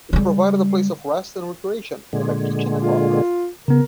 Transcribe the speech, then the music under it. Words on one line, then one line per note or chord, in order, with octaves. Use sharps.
It provided a place of rest and recreation, and a kitchen and laundry.
C#3 G3
A#2 D3 G#3
F4
C#3 B3 A#4